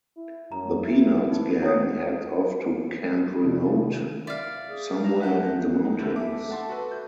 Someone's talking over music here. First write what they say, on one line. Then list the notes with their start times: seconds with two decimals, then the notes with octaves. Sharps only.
The "Peanuts" gang heads off to Camp Remote somewhere in the mountains.
0.17 E4
0.52 F#2 A#5
0.83 E4
1.32 D#4
1.62 B3 E4 C#5 D#6
3.44 C3 D#3 D4
4.27 D5 E5 F5
4.68 G#4
5.04 B4 A5 A#5
5.21 E5 F#5 G6
5.85 D#4
5.99 D2 E4 A4
6.16 A3 D6
6.51 F#5 A5 C6
6.69 F#4 A4 B4
6.92 G6